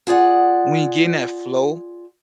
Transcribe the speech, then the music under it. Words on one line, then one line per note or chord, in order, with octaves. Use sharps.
when you're getting that flow
F4 G#4 D5 F#5